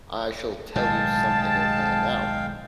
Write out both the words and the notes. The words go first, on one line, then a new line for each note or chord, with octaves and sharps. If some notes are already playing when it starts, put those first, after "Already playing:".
I shall tell you something of her now.
B1 A2 D#3 G#3 F5 G5 A5